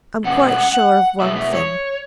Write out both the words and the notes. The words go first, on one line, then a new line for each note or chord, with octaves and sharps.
I'm quite sure of one thing.
B2 G#3 C#4 F#5
F#5
F#5
B2 G#3 E5
E5
C#5